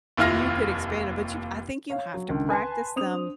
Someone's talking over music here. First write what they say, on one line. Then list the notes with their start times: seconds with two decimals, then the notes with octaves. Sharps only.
You could expand it, but you I think you have to practice them
0.17 F1 D#2 E4 F4 F6 A#6
1.90 C#5 F5
2.14 F#3
2.29 C#2 D3 D#3
2.49 B4 G#5 A5 C6
2.96 C4 D4 D#6 F7